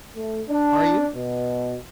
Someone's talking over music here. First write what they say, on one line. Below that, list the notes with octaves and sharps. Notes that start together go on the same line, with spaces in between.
"Are you?"
A3
D4
B2